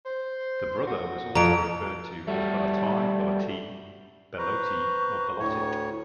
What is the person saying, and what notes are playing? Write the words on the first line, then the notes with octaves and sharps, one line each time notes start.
The brother was also referred to as "Belloti", "Belloty", "Beloty", or "Bellottit".
C5
F#4
F2 A#5 D7
G3 A3 F#4
B4 C5 A#5 C#6
D2 A2 C#5